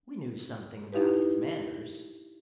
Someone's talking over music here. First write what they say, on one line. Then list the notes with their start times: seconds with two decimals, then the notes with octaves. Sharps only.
"We knew something about his manners."
0.92 D#4 E4 G4 B4